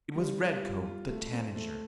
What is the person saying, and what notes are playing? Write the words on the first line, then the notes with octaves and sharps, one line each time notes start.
It was Redcoat the Tanager.
G3
G3
F4
F4
A3
C4
A3